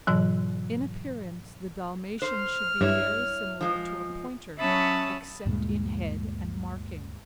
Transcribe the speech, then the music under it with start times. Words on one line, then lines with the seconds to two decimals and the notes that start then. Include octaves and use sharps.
In appearance the Dalmatian should be very similar to a Pointer except in head and marking.
0.07 G#2 B2 E3 F#3
2.22 C5 F6
2.81 G2 E4 C#5
3.61 F3 G#3
4.58 F#3 C#4 E5 A5 B5 D#6
5.45 D2 G2 A#2 G#3